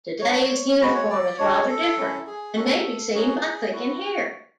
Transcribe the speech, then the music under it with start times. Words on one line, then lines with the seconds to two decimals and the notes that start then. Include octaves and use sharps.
Today's uniform is rather different and may be seen by clicking here.
0.21 F#3 B3 D4 C#5
0.81 G#3 B3 F#4 B4
0.95 C#5
1.10 D5
1.38 G#3 D4 F#4 C#5
1.68 A4
1.97 F#3 C#4 E4
2.27 G#4
2.56 F#3 C#4 F#4 A4
3.14 F#3 C#4 F#4 G#4
3.73 F#3 B3 E4 F#4